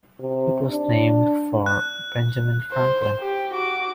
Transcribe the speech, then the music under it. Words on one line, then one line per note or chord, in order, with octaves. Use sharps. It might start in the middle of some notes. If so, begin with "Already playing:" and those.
It was named for Benjamin Franklin.
C3
D4
F#6
C5
G4
F#4 D6